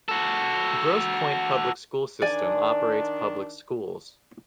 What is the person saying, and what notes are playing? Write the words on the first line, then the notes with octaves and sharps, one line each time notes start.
Grosse Pointe Public School System operates public schools.
F#4 A4
D#3 D4 D5 G#5